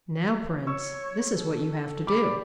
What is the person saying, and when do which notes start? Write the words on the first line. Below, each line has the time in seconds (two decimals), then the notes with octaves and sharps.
'Now, Prince, this is what you have to do.
0.66 C#5 C#6 E6
1.38 A4
2.07 G4 B5 D6
2.23 D5